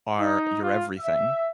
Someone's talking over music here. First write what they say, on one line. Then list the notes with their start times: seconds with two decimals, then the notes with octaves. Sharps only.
are your everything.
0.19 D#4
0.62 F4
0.99 E5